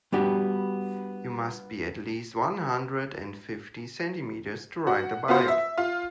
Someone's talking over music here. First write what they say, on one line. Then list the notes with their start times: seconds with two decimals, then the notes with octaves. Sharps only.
You must be at least one hundred and fifty centimeters to ride the bike.
0.12 G3 B3 D4 F#4 G4
4.87 F#4
5.28 B3 F4 F#4 C5
5.48 E5
5.78 F4